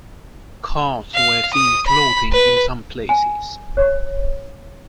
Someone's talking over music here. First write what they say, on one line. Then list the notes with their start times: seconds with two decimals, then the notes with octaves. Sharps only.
Cars were seen floating in some places.
1.15 F5
1.53 D#6
1.86 B5
2.32 B4
3.09 G#5
3.77 C#5